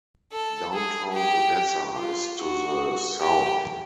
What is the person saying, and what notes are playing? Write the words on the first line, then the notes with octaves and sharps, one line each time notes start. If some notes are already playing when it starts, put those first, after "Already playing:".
Downtown Odessa is to the south.
A4
G#4
G4
F4
F#4
G4